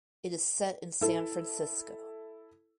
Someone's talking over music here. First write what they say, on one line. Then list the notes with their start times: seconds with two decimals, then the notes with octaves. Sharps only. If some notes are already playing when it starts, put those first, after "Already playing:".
It is set in San Francisco.
1.01 E4 A4